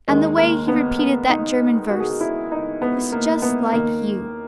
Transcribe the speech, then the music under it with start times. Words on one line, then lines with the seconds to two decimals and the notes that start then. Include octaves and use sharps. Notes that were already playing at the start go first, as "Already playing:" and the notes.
And the way he repeated that German verse, it was just like you!
0.08 D#2 D#3 G#3
0.37 A#3
0.68 B3
0.99 B3
1.29 D#4
1.90 F#4
2.00 G#4
2.10 F#4
2.21 E4
2.52 D#4
2.82 B3
3.12 A#3
3.42 B3
3.73 D#2 D#3 A#3